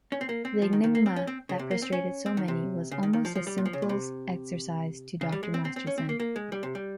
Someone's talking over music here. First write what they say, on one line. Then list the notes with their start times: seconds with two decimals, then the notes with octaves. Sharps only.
The enigma that frustrated so many was almost a simples exercise to Dr. Masterson.
0.12 C#4
0.21 C4
0.29 A#3
0.45 C4
0.62 F3
0.73 D#3
0.84 D#3
0.95 A#3
1.06 C4
1.16 C#4
1.27 C4
1.49 C#3
1.59 C3
1.71 A#3
1.82 C4
1.92 C#4
2.26 C4
2.37 D#3
2.48 C3
2.91 C#3
3.03 D#3
3.13 D#3
3.25 F3
3.35 F3
3.47 G3
3.58 A#2
3.65 F3
3.73 C#3
3.82 A#2
3.89 C3
5.21 C#3
5.32 G3
5.43 G#3
5.54 C4
5.65 C4
5.76 C4
5.87 C#4
5.98 C4
6.09 A#3
6.20 A#3
6.36 G#3
6.52 G3
6.63 C3
6.75 G3